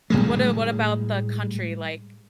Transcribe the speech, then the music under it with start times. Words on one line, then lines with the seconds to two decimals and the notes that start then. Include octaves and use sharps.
what a what about the country, like,
0.10 A2 G3 G#3